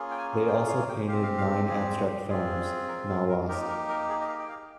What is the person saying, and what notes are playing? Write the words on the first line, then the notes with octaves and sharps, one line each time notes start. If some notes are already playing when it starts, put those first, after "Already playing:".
They also painted nine abstract films, now lost.
Already playing: A#3 C#4 F4 G#4
G5
G#5
G5
F5
G5
C4 G4 F5
F5
F5
G#4
C4 F4 G#4
A#4
G#4
A#4
A#3 D#4 G4 A#4
A#4
A#4
G#4
D#5
F5
G5
F5